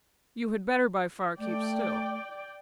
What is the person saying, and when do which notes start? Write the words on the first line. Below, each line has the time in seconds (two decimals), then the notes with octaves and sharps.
You had better by far keep still.
1.39 A3 D5 G5